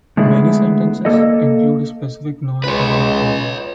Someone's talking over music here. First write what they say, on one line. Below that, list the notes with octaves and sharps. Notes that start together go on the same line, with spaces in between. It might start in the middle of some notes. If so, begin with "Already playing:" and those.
Many sentences include a specific non-parole period.
D3 G#3 A3 B3 E4 G#4
A#3 A4 D#5
C#2 B4 C#5